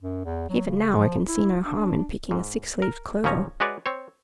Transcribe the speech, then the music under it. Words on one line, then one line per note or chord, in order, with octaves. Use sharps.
Even now I can see no harm in picking a six-leaved clover.
F#2
E2
F#3
C#3
F3
E4
D4
G#2
A#4
D#2 A#2 F3 C#4 C#5 A#5
G#3 F#4 G#4 B4 C#5 D5
C4 C#5